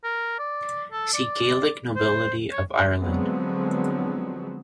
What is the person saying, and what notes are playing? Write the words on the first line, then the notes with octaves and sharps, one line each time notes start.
See Gaelic nobility of Ireland.
A#4
D5
A4
D5
C5
C#5
D3 F3 F#3 G#3 B3 C4